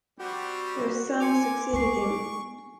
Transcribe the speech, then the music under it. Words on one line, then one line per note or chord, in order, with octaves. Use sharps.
Their son succeeded him.
G3 C4 F#4 G4
G#5 C6 D6 C#7 F7
B3 G#5 C#6 C7